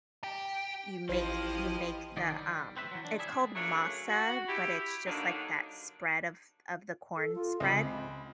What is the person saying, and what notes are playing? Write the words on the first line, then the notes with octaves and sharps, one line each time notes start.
you make you make the, um it's called masa, but it's just, like, that spread of of the corn spread
G4
A1 F3 E4 G4 C5 D#5
D#3 F#3 D#4 D5
G3
C4 B4 E5
E3 F#3
D4
G3 G#4 E5
C#3 F#3 A3 A#3 D4 C#5
F#4
E4 G4
D3 F#3 G3 A#3 D4 D#4
A4
F4
C#2 C4 B5